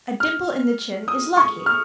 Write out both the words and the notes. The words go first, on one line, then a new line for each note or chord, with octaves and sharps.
A dimple in the chin is lucky.
F6
D#6
C#6
F6